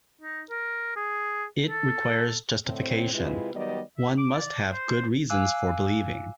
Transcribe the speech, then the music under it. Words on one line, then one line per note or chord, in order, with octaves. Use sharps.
It requires justification: one must have good reasons for believing.
D#4
A#4
G#4
A4
A2 D3 C4
C3 G#3 E4 F4 B4
D#3 F#3 G3 B3 D5 D#5
E5
D6
D5
C5
F5 G#5 D6 E6 F#6